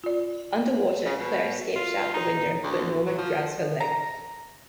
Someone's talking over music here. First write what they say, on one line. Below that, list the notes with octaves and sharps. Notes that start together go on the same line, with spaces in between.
Underwater, Claire escapes out the window, but Norman grabs her leg.
F4 D5
C#3
B2
F4
D#4
D2
F#3
F3
A#5